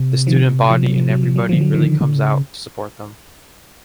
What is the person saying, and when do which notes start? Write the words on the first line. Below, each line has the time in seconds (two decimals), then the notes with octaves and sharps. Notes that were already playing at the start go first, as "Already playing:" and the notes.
The student body and everybody really comes out to support them.
Already playing: C3
0.27 D#3 F3
0.70 F3
0.83 F#3
0.96 F3
1.10 F#3
1.23 F3
1.36 F#3
1.49 C#3 F3
1.58 D3 F#3
1.74 D#3 F3
2.01 C#3
2.08 D3
2.16 C#3